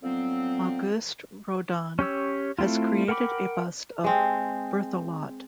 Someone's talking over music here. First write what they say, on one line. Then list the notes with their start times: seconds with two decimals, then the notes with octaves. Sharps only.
Auguste Rodin has created a bust of Berthelot.
0.03 D3 F3 F#3 B3 C4
1.99 C#4 G4 C#5 E6
2.59 A3 C4 E4 F4
3.08 A#4 F#5 G5 B5 D6
4.04 G#3 C4